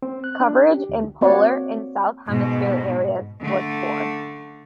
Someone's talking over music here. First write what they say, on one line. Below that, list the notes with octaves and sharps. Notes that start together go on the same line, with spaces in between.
Coverage in polar and south-hemisphere areas was poor.
C4
F#6
D4
G4
D2
A#3 C4 F#4 C#5 D5 F#5
G#2 B2
D3 A3